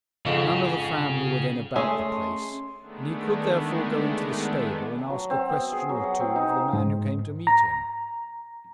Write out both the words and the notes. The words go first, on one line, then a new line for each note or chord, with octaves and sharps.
None of the family were then about the place, and he could, therefore, go into the stable and ask a question or two of the man who came to meet him.
F2 G#2 C#3 C4
G#3 A3 C#4 G#4 E5 C6
D#3 G#3 A3 B3 D4
A5
F#3
C4
B3
G#4
F#3
F#5
C4
D#4
C5
G#2
A#5